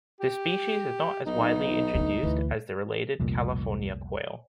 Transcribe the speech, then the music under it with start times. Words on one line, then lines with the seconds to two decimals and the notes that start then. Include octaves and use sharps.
The species is not as widely introduced as the related California quail.
0.21 G4
1.26 B1 D#4
1.95 D2 D4
2.23 D2 E3
3.20 F1 C2 A#2